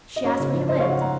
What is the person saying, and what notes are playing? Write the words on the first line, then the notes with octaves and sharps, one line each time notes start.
She asked where he lived.
D#5
F#2 C#5
F#1
F3
F#1 C5 D#5
F#1 C#5 F5
D#5 F#5
F#5 A#5